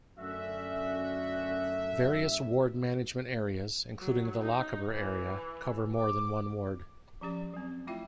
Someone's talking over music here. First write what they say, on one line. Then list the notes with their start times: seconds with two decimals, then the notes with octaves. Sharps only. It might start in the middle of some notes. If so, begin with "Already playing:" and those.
Various ward management areas, including the Lochaber area, cover more than one ward.
0.18 F#2 D3 A3 C#4 F#4 E5
3.99 F#3
4.41 D#4
4.93 E3
5.96 D6
7.21 F3 C#4 G4 D5
7.54 F#3 C4
7.87 A3 E4 F4 E5 G5